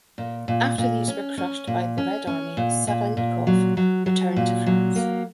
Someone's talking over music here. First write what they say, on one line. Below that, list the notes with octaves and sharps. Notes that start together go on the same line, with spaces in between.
After these were crushed by the Red Army, Savinkov returned to France.
A#2
A#2
A#2
C#4
C#4
A#2
C#4
C#4
A#2
A#2
A#2
F#3
F#3
F#3
A#2
F#3
A#3